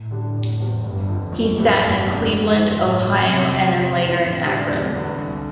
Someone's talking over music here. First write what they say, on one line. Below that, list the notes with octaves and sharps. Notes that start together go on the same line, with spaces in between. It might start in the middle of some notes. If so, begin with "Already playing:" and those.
He sat in Cleveland, Ohio and then later in Akron.
Already playing: A2
D3 G3 D4
F1
E2 B2 G3 C4
G1 G2
F2 D3 F3
B1 F2
A2 G3 B3
F1 G2
E2 C3 G3 D4
F2
D3 F3
G1 A2
F2 C3 F3
F1 C3
E2 D3
F1
F2 E3 B3
A2 D3
G3 D4
E1
E2 B2 B3
C2